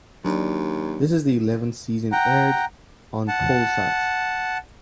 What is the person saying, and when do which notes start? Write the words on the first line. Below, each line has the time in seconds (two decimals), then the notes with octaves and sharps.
This is the eleventh season aired on Polsat.
0.25 D#2 F#3 D4
2.12 F#5 G5 A#5
3.28 F#5 A5